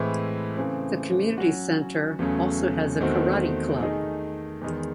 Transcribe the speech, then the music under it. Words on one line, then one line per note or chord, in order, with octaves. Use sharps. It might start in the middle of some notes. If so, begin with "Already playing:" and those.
The community centre also has a karate club.
Already playing: A2 E3 G#3 C4 E4
C#3 E3 A3 C4
F#3 C#4 F#4
E2 C#3 F#3 A3 C#4
E2 D#3 A3 C4 F#4
D#3 A3 D#4 G#4
E2 D#3 G#3